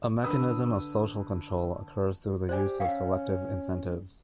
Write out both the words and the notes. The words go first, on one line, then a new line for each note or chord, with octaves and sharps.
A mechanism of social control occurs through the use of selective incentives.
D3 B4 D#6 E6
G4 C5 D5 G#5
C#4 F5 G5 E6